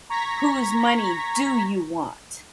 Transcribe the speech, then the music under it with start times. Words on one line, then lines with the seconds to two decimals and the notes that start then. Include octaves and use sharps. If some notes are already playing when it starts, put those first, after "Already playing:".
Whose money do you want?
0.10 A#5 C#6 G#6 A#6 B6